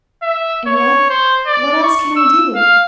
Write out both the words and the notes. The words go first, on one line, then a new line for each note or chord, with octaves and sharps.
And yet, what else can I do?
E5
C#5
C5
D5
C#6
E6
F5